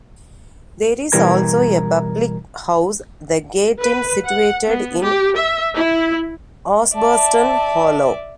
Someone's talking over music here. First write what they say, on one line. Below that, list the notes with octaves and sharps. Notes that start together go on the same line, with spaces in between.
There is also a public house, The Gate Inn, situated in Osbaston Hollow.
B2 E3 G3 A#4 A#5 G#6
B4
F#5
B3
G4
E5
E4
D5 E5 A5